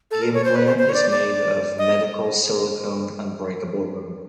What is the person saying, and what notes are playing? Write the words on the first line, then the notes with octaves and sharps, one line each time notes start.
The implant is made of medical silicone unbreakable rubber.
A4
A#4
C#5
C5
B4
C5
C5
C#5
D5
D5
D#5